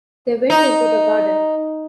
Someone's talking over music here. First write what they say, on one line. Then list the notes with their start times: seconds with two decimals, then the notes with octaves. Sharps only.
They went into the garden.
0.50 D#4